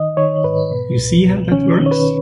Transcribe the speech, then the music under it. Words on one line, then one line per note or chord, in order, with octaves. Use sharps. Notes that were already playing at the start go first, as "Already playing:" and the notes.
You see how that works?
Already playing: D#3 D#5
D#3 C#5
G#2 B4
B2
C#2
B2
D#3 C#4
D#3
C#5
B4